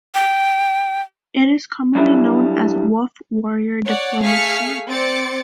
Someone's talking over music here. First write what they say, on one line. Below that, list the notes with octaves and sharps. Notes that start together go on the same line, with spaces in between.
It is commonly known as "Wolf warrior diplomacy".
G5
F#3 G3 D4 E4 E5
C#5 D5 F#5
A3 G#4 F5 F6 B6 C#7
C4 C5 D5 D6 A6 C#7